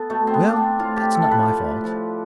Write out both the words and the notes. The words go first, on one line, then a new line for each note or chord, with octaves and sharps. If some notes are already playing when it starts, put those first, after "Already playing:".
"Well, that's not my fault."
Already playing: B3 A4
B2 A3
C4
B3
D4
C4
A2 F4
G4
F3 A4
B4
A2
F3